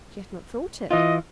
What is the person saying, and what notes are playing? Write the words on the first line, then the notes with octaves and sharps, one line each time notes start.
She had not thought it.
E3 F4 D#5